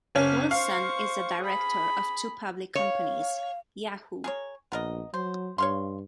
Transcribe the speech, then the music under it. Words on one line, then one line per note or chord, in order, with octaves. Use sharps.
Wilson is a director of two public companies: Yahoo!
F#1 C#4
C5 F5 C#6
G#4 B5
C#5 F5
G#4 A#4 C#5
A#1 B3 A#4 D#5
F#3 C5
G2 C#5 F5 C6